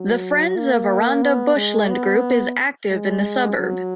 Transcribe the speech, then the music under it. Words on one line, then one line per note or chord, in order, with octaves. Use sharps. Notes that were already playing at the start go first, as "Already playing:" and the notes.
The Friends of Aranda Bushland group is active in the suburb.
Already playing: F#3
A#3
B3
G#3
B3
G#3
F#3